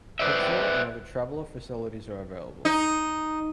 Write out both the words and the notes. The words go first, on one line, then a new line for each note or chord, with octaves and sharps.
Petrol and other traveller facilities are available.
B4 C5 D5 E5
D#4